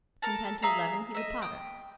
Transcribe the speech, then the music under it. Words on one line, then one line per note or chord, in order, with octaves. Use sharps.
From ten to eleven he would potter.
A4 A#4 A5
G#4 E5 F5 A#5
D#5 E5
G5 D#6